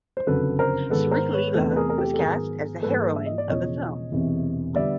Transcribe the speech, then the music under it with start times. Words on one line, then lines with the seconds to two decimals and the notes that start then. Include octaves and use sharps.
Sree Leela was cast as the heroine of the film.
0.17 C5
0.27 F#1 F2 D3 F#3 A4 B4
0.59 A#4 C5
0.90 G#2 D#3 G#3 B3 A4 B4
1.11 A#4 C5
1.33 B4 C#5
1.54 E2 C3 E3 A3 A4 B4
1.71 B4
1.76 G#4 A#4
1.89 A#4
1.98 G4 A4
2.14 A4
2.19 G#2 D#3 F#3 B3 G#4 A#4
2.82 G#2 E3 G3 A#3 A4 B4
3.16 E5
3.26 D#5
3.38 D5
3.47 E1 E2 C#3 F3 C#5 D#5
4.12 E1 E2 C3 E3
4.75 D3 G3 B3 D5 E5